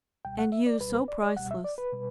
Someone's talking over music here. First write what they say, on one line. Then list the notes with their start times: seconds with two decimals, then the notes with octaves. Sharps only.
And you so priceless!
0.25 C#2 B2 G3 G5
0.39 F#5
0.52 E5
0.66 D5
0.80 C#2 B2 G3 B4
0.95 B4
1.08 D5
1.23 D5
1.37 C#2 B2 G3 F#5
1.51 E5
1.64 D5
1.78 B4
1.93 B2 G3